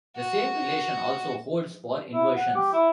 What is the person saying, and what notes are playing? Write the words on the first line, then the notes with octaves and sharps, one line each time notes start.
The same relation also holds for inversions.
F#4
E4
F#5
G4
E4